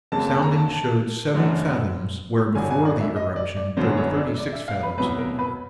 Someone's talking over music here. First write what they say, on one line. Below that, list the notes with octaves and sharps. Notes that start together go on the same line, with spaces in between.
Soundings showed seven fathoms where before the eruption there were thirty-six fathoms of water.
F2 C#3 F#3 A#3 A5
A5
A#5
A5
A5
F#1 F#2 D3 F#3 A3
G1 G2 D3 F#3 G#5
G#5
D5
E5
D#5
D5
D5
G1 F#2 D3 F#3 B3 C5
C#5
D5
D5
E5
F5
B4
C2 B2 F#3 B4
A#4
B4